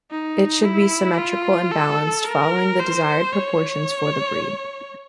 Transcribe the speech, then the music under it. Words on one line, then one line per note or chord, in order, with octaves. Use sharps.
It should be symmetrical and balanced, following the desired proportions for the breed.
D#4
E4
F4
A4
A#4
C5
C#5